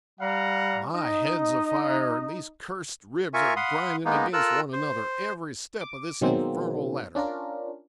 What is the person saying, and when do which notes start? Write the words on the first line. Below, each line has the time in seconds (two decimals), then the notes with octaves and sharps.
'My head's a-fire, and these cursed ribs are grinding against one another every step of this infernal ladder.
0.20 G3 F5 F#5 A#5
0.94 D#4 D#5
3.34 F4 A#4 E5 G#5 C#6
3.56 F5 F#5 B5 C6 D#6
4.05 G#3 A#3 B3 D#4
4.33 F4 A4 A#4 E6 F#6
4.73 C5
5.81 D6
6.21 B2 D#3 F#3 G#3 A#3 C4
7.15 C#4 D4 F4 A#4